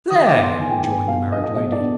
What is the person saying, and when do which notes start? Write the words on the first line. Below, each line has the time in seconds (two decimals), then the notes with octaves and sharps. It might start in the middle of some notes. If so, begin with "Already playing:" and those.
'There!' rejoined the married lady.
0.10 D#3 D#6
0.27 D6
0.35 B3 D#4
0.43 C6
0.59 D#3 G#5
0.70 G5
0.82 B3 D#4 G#5
1.07 B2 F5
1.32 B3 D4 D#5
1.44 D#5
1.56 B2 D#5
1.72 D5
1.80 B3 D4